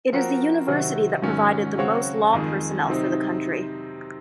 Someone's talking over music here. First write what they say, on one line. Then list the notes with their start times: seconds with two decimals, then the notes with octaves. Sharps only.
It is the university that provided the most law personnel for the country.
0.12 F3 C4 F#4 A#4
0.68 C3 D#3 F#3 C4 F#4
1.22 G#2 D#3 F#3 C#4
1.78 C#3 F#3 C4 F#4 C#5
2.33 F2 D#3 G#3
2.87 C3 D#3 F#3 C4 D#4